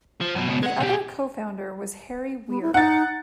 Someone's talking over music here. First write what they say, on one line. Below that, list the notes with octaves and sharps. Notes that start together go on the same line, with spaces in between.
The other co-founder was Harry Weir.
F3
F#2 B2
C#2 B2
G#3 F#5
B2 G4
B3
E4
D#4 F#5 A6